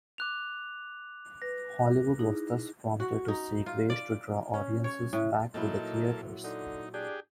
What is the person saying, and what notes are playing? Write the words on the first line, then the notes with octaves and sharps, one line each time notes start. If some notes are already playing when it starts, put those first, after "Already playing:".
Hollywood was thus prompted to seek ways to draw audiences back to the theaters.
D6 F#6 F7
B4 A#6
D#4 E4 G#4
F#4
D#4
F4
D5
C#4
C#5
A2
A#2 F#3 A#3 D#4 E4 A4
D3 D#4
D4 G4 G#4